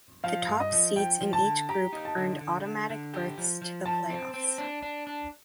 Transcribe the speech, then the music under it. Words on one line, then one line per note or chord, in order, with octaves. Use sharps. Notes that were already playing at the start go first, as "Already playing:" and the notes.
The top seeds in each group earned automatic berths to the playoffs.
F3 F5
G2
D#5
F3
F3 G5
F3
A5
D3
G4 A#5
D#4
A5
D3
D3
D3
D3
G4
F3
F3
F3 A5
C4
C4
D4
D4
D4